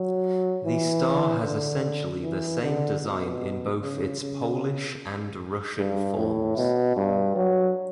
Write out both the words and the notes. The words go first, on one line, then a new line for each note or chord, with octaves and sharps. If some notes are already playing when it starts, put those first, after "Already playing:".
The star has essentially the same design in both its Polish and Russian forms.
Already playing: F#3
E3
D3
E3
D3
B2
C#3
C#3
G2
A2
B2
G2
F#3